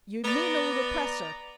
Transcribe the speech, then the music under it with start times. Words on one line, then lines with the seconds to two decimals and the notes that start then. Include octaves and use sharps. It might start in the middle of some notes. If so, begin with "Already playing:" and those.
"You mean ole oppressor!"
0.24 B3 D5 A#5